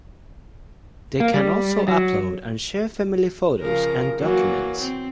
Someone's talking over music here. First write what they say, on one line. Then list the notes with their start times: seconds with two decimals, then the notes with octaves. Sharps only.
They can also upload and share family photos and documents.
1.20 A#3
1.34 G3
1.88 F#3
3.60 C#3 F3 A#4
4.19 E3 F#3 A#3
4.79 C4